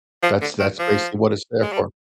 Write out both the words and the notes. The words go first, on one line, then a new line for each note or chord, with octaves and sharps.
That's that's basically what it's there for.
F3
D3
D#3
F3
G#3
G3